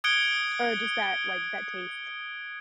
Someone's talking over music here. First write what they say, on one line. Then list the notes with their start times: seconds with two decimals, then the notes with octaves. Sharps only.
or just that, like, that taste.
0.04 D#6 F#6 G#6 C#7 D7 G7